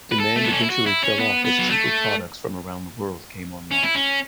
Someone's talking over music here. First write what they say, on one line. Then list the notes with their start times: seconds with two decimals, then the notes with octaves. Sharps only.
Demand eventually fell off as cheaper products from around the world came online.
0.12 B4
0.20 A4
0.36 A3
0.45 B3
0.52 C#4
0.61 E4
0.70 F#4
0.86 E4
1.03 C#4
1.20 B3
1.45 B3
1.59 F#3
1.70 A3
3.71 C#4
3.83 E4
3.95 C#4